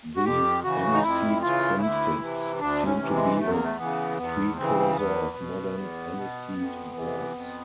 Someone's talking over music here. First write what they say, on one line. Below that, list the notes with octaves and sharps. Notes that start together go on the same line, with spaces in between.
These aniseed comfits seem to be a precursor of modern aniseed balls.
F#4
F2 G4
C#3 E3 F#4
D#4
F2 E4
C#3 E3 F4
D2 E4
C3 E3
D2 D4
C#4
C3 E3
G#3
E2 A3
A#3
A3
C#3 E3 B3
E2 B3
C#3 E3 C4
E2 B3
B2
E2
B2
F2
C3 E3
F2